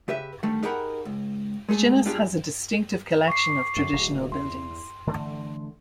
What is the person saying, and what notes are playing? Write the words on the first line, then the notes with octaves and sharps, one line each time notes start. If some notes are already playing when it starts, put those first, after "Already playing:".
Shinas has a distinctive collection of traditional buildings.
C#3 G4 B4 E5
D3 D#3 G3 A3
D#4 G4 G#4 A#4 F#5 B5
C#2
G#3 A3 G#4 A4
G3 D4 F4 G4 G#4
C#6 D6 C7
F#2
D1
E2 C6
D3 E3 A3